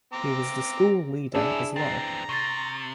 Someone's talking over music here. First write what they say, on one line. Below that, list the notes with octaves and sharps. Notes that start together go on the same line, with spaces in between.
He was the school leader as well.
C4 A#5 D6
G2 C#4 D4 E4 G#4 D5 A5 E6
E3 C4 A#5 A6
C3 C#6 A6